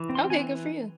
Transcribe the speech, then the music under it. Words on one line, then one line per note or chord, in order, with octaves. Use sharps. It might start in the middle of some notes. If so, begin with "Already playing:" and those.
Okay, good for you.
Already playing: E3
C4
C6
E3 G#5